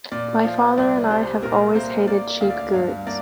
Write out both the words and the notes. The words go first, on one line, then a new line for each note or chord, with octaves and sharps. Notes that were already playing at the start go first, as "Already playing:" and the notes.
My father and I have always hated cheap goods...
A#2 D5
F3 F5
C2 D5
G3 C5
A#2 A#4
A#3 C5
A#3 D5
D2 F5
D5
F5
G2 F5
A#3 D5